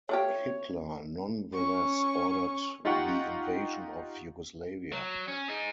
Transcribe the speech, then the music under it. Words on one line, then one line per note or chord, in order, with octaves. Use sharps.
Hitler nonetheless ordered the invasion of Yugoslavia.
A3 F4 G4 C#5
C#4 C#6
D#4 F4 G4 F5 F#5 C#6
F#3
C#4
D#4 G#4